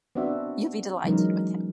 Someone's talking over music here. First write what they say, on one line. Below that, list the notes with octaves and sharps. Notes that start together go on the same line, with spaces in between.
You’ll be delighted with him.
B3 C4 D4 F#4 E5
E3 F#3 G#3 C#4 D#4 A#4